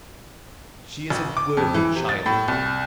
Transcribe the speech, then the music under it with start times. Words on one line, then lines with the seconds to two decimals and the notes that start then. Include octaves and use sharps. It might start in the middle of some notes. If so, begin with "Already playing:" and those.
She is a worthy child.
1.10 A1
1.37 D6
1.57 F2
1.74 E3
1.96 C3
2.09 A6
2.26 A2
2.48 C2